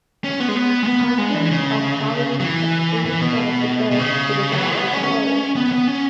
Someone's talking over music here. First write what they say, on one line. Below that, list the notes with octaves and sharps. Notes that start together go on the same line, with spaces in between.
Hundreds of thousands abstain from it because they regard it with horror.
C#4
B3
G#3
B3
G#3
B3
G#3
E3
C#3
F#3
E3
E3
B2
B2
C#3
F#3
E3
B3
C#4
B3
B3
C#4